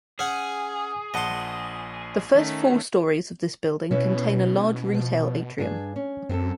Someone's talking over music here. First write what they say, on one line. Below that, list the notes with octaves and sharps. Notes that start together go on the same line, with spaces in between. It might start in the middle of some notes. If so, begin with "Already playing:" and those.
The first four stories of this building contain a large retail atrium.
C#4 G#4 F#5
A#1 D#5 F#5 A5 C6
D#3 A3 C#4
B2 C#4 E4 B4
F3
G2 D4 G#4
C#4
F#2 C4 G#4 A4